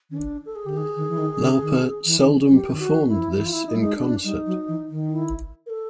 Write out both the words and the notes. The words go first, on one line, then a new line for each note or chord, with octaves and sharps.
Lauper seldom performed this in concert.
D#3 C#4
D4
A4
G#4
D3 G4
D#3
G#4
D#3
E3
D#3
D3
D#3
E3
D#3
E3
F#3 G4
D#3
F#4
E3
E4
F3
E3 E4
F4
E4
D#4
G3 E4
G#3 D#4
D4
G3 D#4
F#3
E3
D#3
D#4
E4
A#4
A4